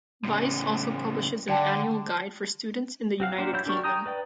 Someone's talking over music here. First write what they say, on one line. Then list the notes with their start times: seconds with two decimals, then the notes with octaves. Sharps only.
"Vice" also publishes an annual guide for students in the United Kingdom.
0.25 A2 C#3
1.49 D3 D5 G5 A5
3.20 C4 F#4 F5
3.38 A#3 D4 G4 C5
3.53 F#3 E4 C#5 E6 G6
3.66 D4 G4 A#4 D5 C#6
3.83 G5 G#5 A#5 D#6 G6
4.06 B4 D5 G5